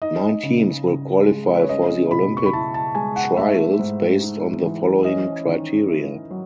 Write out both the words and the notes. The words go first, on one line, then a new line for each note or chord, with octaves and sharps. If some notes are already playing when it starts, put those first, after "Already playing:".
Nine teams will qualify for the Olympic Trials based on the following criteria.
D#4 D#5
C#3
C#3
G#3
B4
C#5
C#4 D#5
B2 B5
C#6
B5
E4 A5
A5
G#3 G#5
F#5
A3 E5
G#2
D#4
E3
C#4 D#5
D#3
E4
F#3